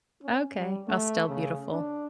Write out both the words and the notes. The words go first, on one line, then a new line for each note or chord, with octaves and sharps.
Okay. Well, still beautiful.
C#4
G3
A3
C#3
D4